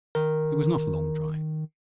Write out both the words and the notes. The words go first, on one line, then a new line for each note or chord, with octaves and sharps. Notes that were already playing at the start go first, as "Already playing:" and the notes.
It was not a long drive.
D#3 A#4